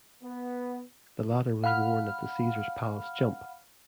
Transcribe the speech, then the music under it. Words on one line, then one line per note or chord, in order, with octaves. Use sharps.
The latter was worn at the Caesars Palace jump.
B3
F5 F#5 B5 F6